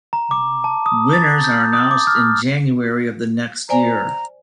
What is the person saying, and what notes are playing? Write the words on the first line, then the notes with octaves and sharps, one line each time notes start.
Winners are announced in January of the next year.
A#5
D6
A5
D#6
A6
G6
D#6
D6
F6
C5 D5 G#5 A#5